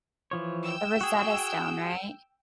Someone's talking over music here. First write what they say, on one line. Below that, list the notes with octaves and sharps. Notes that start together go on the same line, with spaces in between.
the Rosetta Stone, right?
E3 F3 C#5
G5 E6
F#4 G#4